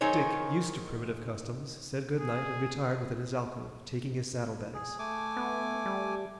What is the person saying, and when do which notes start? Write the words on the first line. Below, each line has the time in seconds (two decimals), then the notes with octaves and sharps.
Dick, used to primitive customs, said good-night and retired within his alcove, taking his saddle bags.
0.01 D#3 F#3 D#4 G#4 C5 C#5
2.19 G#4
4.74 G#4
4.99 A3 G#5 D6
5.37 B3
5.86 G3